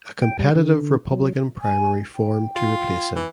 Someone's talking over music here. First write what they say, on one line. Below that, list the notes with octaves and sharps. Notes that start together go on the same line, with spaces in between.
A competitive Republican primary formed to replace him.
G5
G3
D3
F#3
G#5
G5
F4
E3